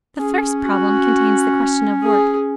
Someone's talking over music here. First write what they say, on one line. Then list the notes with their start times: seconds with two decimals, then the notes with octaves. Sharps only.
The first problem contains the question of work.
0.17 C#4 G#4
0.64 F#4
2.03 G#4